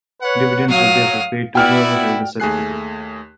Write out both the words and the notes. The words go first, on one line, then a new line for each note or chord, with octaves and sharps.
Dividends were therefore paid to whoever held the certificate.
B4 C#5 F#5
F#3 F5 D#6
B3 E4 F#4 D5 G5 F6
D#2 A3 G#4 G#5 F#6 C7